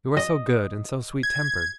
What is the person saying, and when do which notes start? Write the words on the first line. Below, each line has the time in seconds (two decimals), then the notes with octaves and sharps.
You are so good, and so sweet-tempered.
0.17 D#5
1.23 G#6